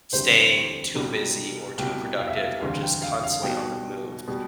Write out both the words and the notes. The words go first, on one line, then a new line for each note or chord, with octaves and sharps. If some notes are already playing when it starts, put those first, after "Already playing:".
staying too busy, or too productive, or just constantly on the move.
E1 D2 C3 G3 C5
C2 B2 G3
C2 B2 G3 G5
F5
E5
F5
E1 D2 C3 E3 G3 F5
G5
F5
F5
B1 B2 G3 G5
B2 G3